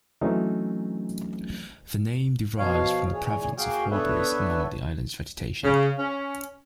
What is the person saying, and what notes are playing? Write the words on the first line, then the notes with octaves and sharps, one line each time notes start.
The name derives from the prevalence of hawberries among the island's vegetation.
E3 F#3 A3 C4 C#4 D#4
B2 F3 C#5 F5
A#2 E3 G#4 C#5
A#3 F#4 G#4 F5 G5
B3 D4 A4 B4 C#5 E5
C#3
C#4